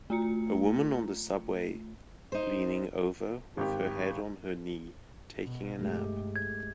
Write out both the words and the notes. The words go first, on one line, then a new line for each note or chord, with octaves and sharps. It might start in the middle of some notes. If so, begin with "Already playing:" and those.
A woman on the subway, leaning over with her head on her knee taking a nap.
A3 F4 A#5 C#7
D#4 C5
G#1 G4
B2
G2 G#3 A3 G4
G#6